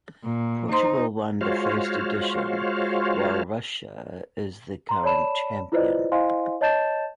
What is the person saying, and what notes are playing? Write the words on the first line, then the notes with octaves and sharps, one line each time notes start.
Portugal won the first edition, while Russia is the current champion.
A#2
D#4 C5 A#5 C6
G#3 F4 F#4 C5 C#5 F5
A#5 C6
C#5 D5 A5 B5 E7
E4 F4 B4 C5 D5 D#5
E4 C5 D#5 F5 G#5 C6
C#5 D#5 A5 G6 A6 E7